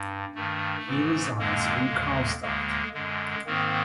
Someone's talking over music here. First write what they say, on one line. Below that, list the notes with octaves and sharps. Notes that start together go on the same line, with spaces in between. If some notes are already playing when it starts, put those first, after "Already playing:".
He resides in Karlstad.
Already playing: G2
G2 D#3 A3
G#2 E3
F2 D3 G#3 A#3
D#2 D3
D2 D3 G#3 A#3
F#2 D3 G#3
G#2 D#3 A#3 C4